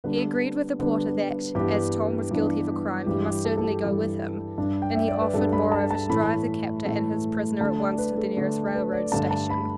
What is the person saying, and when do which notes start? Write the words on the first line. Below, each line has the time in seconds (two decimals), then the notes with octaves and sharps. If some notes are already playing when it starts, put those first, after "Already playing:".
He agreed with the porter that as Tom was guilty of a crime he must certainly go with him, and he offered, moreover, to drive the captor and his prisoner at once to the nearest railroad station.
0.04 D3 G3 B3 D4 B4
0.79 D3 G3 B3 D4
1.55 G2 E3 B3 D4 G4
2.31 G2 E3 B3 D4
3.06 G2 E3 G3 G4
3.25 G4
3.45 A4
3.57 A4
3.63 G4
3.82 G2 E3 G3
4.58 G2 G3 D4
4.82 G5
4.95 E5
5.08 D5
5.21 B4
5.34 G2 G3 D4 A4
5.53 B5
5.72 A5
5.91 A5
6.09 A2 E3 A3 B5
6.85 A2 E3 A3
7.61 D3 A3 D4 A5
7.80 D5
7.98 B4
8.17 A4
8.36 D3 A3 D4
8.75 B4
8.93 D5
9.12 G2 D3 A3 D4 A5
9.31 A5
9.50 B5